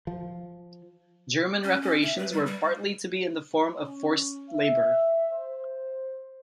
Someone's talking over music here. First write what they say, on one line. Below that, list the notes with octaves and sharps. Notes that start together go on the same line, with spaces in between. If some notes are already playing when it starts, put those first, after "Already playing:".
German reparations were partly to be in the form of forced labor.
F3
C#4
C#4
E5
B4
G3
G3
C#4
E5
C5